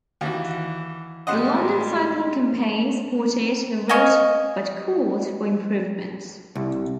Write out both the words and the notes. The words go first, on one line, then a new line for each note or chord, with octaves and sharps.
The London Cycling Campaign supported the route but called for improvements.
D#2 E3 F#4
A2 G3 G#3 D#5 F#5 C6
D#5 F5 G#5 C#6
C2